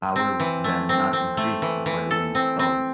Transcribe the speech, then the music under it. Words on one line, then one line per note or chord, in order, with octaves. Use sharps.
Power was then not increased before the wings stalled.
C4
E3
A3
C4
C4
A3
E3
E3
A4
C4
C4